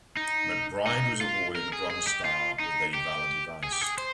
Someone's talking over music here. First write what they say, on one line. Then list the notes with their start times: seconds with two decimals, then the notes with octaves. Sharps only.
McBride was awarded a Bronze Star with a Valor device.
0.17 D#4
0.86 D#4
1.21 F4
1.56 A#4
1.73 G#4
1.90 G#4
2.07 G4
2.25 F4
2.60 D#4
2.94 G4
3.63 G#4
3.72 G4
3.81 G#4
3.98 C5